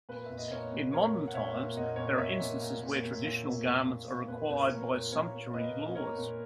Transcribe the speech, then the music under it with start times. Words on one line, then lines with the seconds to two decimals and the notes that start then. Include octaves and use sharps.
In modern times, there are instances where traditional garments are required by sumptuary laws.
0.09 A#2 B4
0.26 A#2 E5
0.38 D#5
0.51 A#2 A#4 C#5
0.72 A#2
0.93 A#2 A#4 C#5
1.14 A#2
1.28 F#5
1.34 A#2 C#5 E5
1.56 A#2
1.77 A#2 D#5 F#5
1.96 A#2 C#5
2.07 D#5
2.18 A#2 C#5 E5
2.40 A#2
2.60 A#2
2.81 A#2
3.02 A#2
3.23 A#2
3.45 A#2
3.65 A#2
3.86 A#2
4.08 A#2
4.28 A#2 B4
4.49 A#2
4.70 A#2 A#4 C#5
4.91 A#2
5.12 A#2 A#4 C#5
5.33 A#2
5.54 A#2 B4 D#5
5.74 A#2
5.95 A#2 A#4 C#5
6.17 A#2